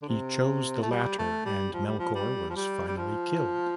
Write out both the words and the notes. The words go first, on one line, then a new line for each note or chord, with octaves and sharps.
He chose the latter, and Melkor was finally killed.
D3
C3
A3
G3
A3
G3
F3
G3
F3
G3
F3
G3
G3
F3